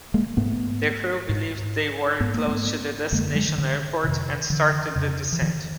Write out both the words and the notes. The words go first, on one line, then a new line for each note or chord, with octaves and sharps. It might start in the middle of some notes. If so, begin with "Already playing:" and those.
The crew believed they were close to the destination airport and started the descent.
G#3 A#3
G#2 A3 B3
G#2
G#2 B3
A#3
A3 B3
F#2 D3 G#3 A#3
F#3 G#3
D#3
D3
F2 C3 D#3
D3 E3
F2 C#3
E3
D#3 F3